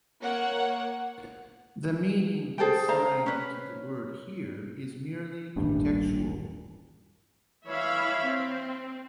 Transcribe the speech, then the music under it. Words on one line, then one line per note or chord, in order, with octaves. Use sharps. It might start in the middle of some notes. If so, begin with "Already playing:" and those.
The meaning assigned to the word here is merely contextual.
A#3 C#5 F#5
G#4 A4 C5 G5
C5 F5 A#5
C#4 B4
D#1 A1 G2
E3 E4 C#5 E5 F5 B5
C4